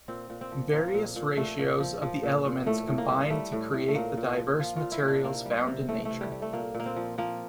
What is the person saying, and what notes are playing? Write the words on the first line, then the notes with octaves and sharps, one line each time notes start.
Various ratios of the elements combine to create the diverse materials found in nature.
A#2 C4
A#2
C4
F3
F3 A#3
A#2
A#2
A#2 A3
A#2
F3
F3
A#2
A#2
A2 A3
A2
A#3
G3
G3 A3
A2
A2
A3
A#2 A#3
A#2
F3
F3 F4
F4
A#2
E4
A#2
D4
C3 A#3
G3
C3
E3 A3
C3 A3
G3
G3
A3
A#2 A#3
A#2
A#3
C4
F3
F3 A#3